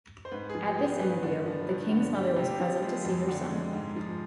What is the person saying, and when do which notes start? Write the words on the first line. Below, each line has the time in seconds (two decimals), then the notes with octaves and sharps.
At this interview, the king's mother was present to see her son.
0.25 C5
0.32 G#2 B4
0.49 G#4
0.55 F3
0.66 G4
0.78 B3
0.83 G#4
1.00 G2 B4
1.23 D3
1.46 F3
1.69 G2
1.91 D3
2.14 G3
2.36 C3 G4
2.60 F3
2.82 G#3
3.05 F2
3.28 D3
3.50 G#3
3.73 G#2
3.96 F3